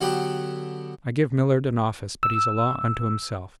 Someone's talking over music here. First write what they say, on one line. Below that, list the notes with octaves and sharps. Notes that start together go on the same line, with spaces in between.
I give Millard an office but he's a law unto himself.
D3 F#3 B3 G4 B4
E6